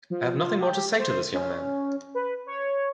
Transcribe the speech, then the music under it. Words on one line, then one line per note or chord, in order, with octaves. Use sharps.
I have nothing more to say to this young man!
F3
F4
G4
C5
C#4
B4
C#5